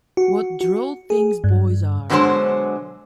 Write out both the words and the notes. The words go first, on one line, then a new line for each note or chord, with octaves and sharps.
What droll things boys are!
F#4
F#4
G#4
G2
B2 D3 E3 F#3 G#3 C5